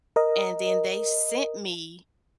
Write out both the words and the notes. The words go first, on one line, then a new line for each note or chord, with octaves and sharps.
and then they sent me,
A#4 D#5